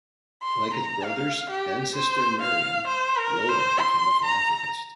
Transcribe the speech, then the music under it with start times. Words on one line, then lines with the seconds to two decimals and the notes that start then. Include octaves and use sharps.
Like his brothers and sister Marion, Rolland became a philanthropist.
0.43 C6
0.74 A#5
1.04 F5
1.50 G4
1.96 C5
2.42 F5
2.88 C5
3.18 A#4
3.49 C5
3.80 C6
4.25 A#5